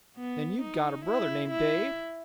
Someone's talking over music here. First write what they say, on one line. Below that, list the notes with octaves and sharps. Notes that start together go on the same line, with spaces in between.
"Then you've got a brother named Dave?"
B3
D#4
E4
E4